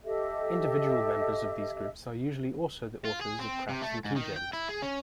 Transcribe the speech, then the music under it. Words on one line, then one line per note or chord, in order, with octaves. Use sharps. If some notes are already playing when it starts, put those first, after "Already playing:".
Individual members of these groups are usually also the authors of cracks and keygens.
G4 A4 D#5 E5
F4
G#4
C4
C3
A3
G#2
D#3
G5
E4
G#4
C#4